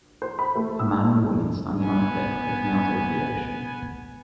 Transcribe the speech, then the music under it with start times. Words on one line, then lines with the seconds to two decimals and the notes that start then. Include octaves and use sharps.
A man and a woman standing on a cliff looking out over the ocean.
0.22 C5
0.39 B5
0.55 A3
0.79 E6
1.81 B3 G#5